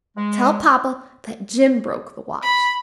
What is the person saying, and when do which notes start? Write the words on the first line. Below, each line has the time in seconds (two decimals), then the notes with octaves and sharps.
"Tell papa that Jim broke the watch."
0.16 G#3
2.42 B5